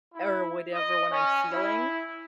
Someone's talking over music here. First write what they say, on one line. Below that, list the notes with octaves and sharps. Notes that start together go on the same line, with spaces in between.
or whatever when I'm feeling.
E4
D#5
C#4
E4